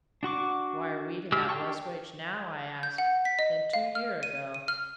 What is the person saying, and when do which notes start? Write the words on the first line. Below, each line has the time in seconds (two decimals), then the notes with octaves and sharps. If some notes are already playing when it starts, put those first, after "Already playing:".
Why are we to have less wage now, I ask, than two year ago?'
0.23 D4 F#4 C#6 D6
1.32 G#3 G4 E6 F6
1.49 D4 G4 G5 A5 C#6
2.83 G6
2.98 F#5
3.25 B6
3.39 D#5
3.73 F5
3.95 F6
4.23 D#7
4.54 D#7
4.68 F6